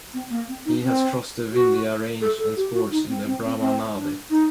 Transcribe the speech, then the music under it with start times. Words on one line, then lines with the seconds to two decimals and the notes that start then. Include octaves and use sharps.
He has crossed the vindya range and sports in the Brahma Nadi.
0.13 C4
0.30 A#3
0.48 C4
0.65 D#4
0.83 C4
1.52 F#4
2.22 A4
2.39 A4
2.57 G4
2.73 F#4
2.91 D#4
3.08 C4
3.26 C4
3.43 C4
3.60 C4
3.95 D4
4.30 D#4